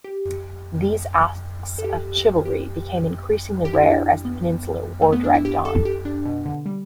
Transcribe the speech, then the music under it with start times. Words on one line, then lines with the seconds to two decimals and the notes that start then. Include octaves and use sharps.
These acts of chivalry became increasingly rare as the Peninsular War dragged on.
0.04 G4
1.78 A4
1.84 G4
2.45 G4
3.65 G4
3.73 E4
3.83 D4
3.91 E4
4.25 B3
5.02 A3
5.13 B3
5.24 D4
5.35 E4
5.45 G4
5.65 A4
5.85 G4
6.05 D4
6.25 B2
6.45 D3
6.66 G3